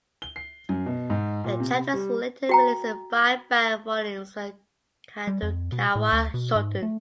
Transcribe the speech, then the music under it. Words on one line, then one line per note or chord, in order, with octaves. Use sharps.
The chapters were later released in five bound volumes by Kadokawa Shoten.
G7
C7
F#2
B2
G#2
A#2
C3
G3
F#4 G5 A#5
G3
F2
B2
A2
D2
B2
G#2
A3